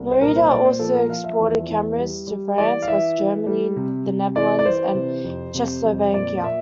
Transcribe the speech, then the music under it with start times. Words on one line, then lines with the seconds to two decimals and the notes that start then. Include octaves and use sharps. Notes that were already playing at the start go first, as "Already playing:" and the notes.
Norita also exported cameras to France, West Germany, the Netherlands, and Czechoslovakia.
Already playing: C2
0.12 C5
0.21 A#2 A#4
0.36 C5
0.50 A#2 D5
0.65 C5
0.79 F3 A4
0.94 A#4
1.10 F3 F5
1.24 E5
1.39 E2
1.68 E2
1.98 G3
2.28 G3
2.58 E3 D5
2.82 F5
2.87 E3 E5
3.18 E3
3.46 G3
3.76 C3
4.06 C3
4.36 E3 D5
4.59 D5
4.65 E3 C5
4.95 C3
5.24 F2
5.55 C3
5.85 F2
6.14 A#2 D5
6.43 A#2 E5